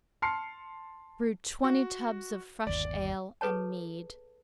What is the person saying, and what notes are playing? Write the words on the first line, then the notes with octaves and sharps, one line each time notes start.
Brew twenty tubs of fresh ale and mead.
A5 C6 F6 C7 C#7
F#4
G1 D#2 D5
G#4 A4 B4 C#5 A5